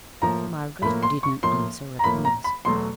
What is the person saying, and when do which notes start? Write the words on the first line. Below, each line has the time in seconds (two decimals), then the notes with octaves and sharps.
Margaret did not answer at once.
0.22 A2 F3 A#3 A#5
0.82 A2 F3 A#3 B5
1.03 C6
1.23 C#6
1.43 A2 F3 A#3 C6
1.99 A#5
2.04 A2 F3 A#3 B5
2.25 A#5
2.44 B5
2.65 E2 B2 F#3 A3 C6